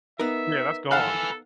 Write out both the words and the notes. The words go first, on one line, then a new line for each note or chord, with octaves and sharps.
Yeah, that's gone.
B3 D#4 A#4 E5
A4 B4 F5 F#5 G#5